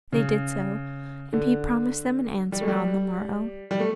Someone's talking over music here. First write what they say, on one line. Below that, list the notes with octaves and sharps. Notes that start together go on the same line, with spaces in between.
They did so, and he promised them an answer on the morrow.
C#3
D3
G3
A3
G3
G3
A3